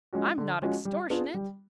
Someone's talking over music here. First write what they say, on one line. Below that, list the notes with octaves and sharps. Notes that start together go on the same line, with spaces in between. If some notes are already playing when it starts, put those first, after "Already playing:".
I'm not extortionate.
F3 G#3 C#4 F#4
D3
F3 G#3 C#4 F#4
G3
B3 D4 F4 G#4
G3